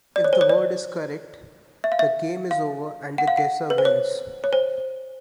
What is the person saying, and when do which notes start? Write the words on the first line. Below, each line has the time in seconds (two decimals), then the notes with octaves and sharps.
If the word is correct, the game is over and the guesser wins.
0.16 D5
0.24 C#5
0.33 C5
0.41 C#5
0.49 D5
1.84 E5
1.92 F5
1.99 E5
2.51 F5
3.18 F#5
3.28 F5
3.37 F#5
3.70 B4
3.78 C5
3.85 C#5
4.44 C#5
4.53 C5